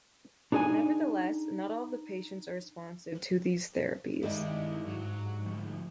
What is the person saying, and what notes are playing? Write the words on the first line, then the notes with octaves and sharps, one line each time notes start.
Nevertheless, not all the patients are responsive to these therapies.
D4 D#4 G#4 D5 G#5
G2 D#3 G3 G#3 E4 D5
G#2 F#3
D2 F3